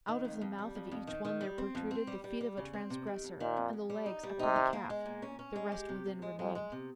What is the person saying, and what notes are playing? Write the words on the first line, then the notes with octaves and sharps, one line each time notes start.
Out of the mouth of each one there protruded The feet of a transgressor, and the legs Up to the calf, the rest within remained.
D#3
F2
F2
G3
F2
F2
D#3
D#3
G3
C4
F2
C4
G3
G3
G3
C#3
C4
C3
D#3
F2
A#2 D#3
F2
F2
G3
D#4
G3
C3 D#4
D#3
A#3
G#3
A#2
C#4
C#4
G#3
G4
C3
C3
G#3
F2 G#3
G#3
C3